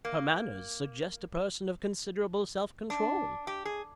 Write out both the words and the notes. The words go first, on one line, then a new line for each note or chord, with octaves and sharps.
Her manners suggest a person of considerable self-control.
A#3
D4
G4
G#4